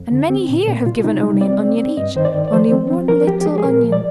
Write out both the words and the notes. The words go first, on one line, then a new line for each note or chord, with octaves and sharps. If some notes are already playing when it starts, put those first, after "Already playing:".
And many here have given only an onion each--only one little onion....
Already playing: F2
D3
C4
A#2
A#2
C3 F4
C3 D#4
G3 D#4
C4 D5
C4
C4
G2 D#5
D#3 C5
D5
D#3
D5
F3 C5
C4
C4
F3 A#4
F3 G4
G4
G#3 G#4
G#4
A#2 A#4
F3
D5